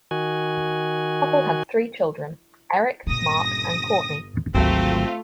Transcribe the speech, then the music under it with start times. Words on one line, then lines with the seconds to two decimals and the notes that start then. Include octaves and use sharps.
The couple had three children, Eric, Mark and Courtney.
0.11 D#3 F#4 G#5
3.07 G1 A#2 C#3 D#6 A#6
4.55 G#1 D2 F#3 A3 C4 F4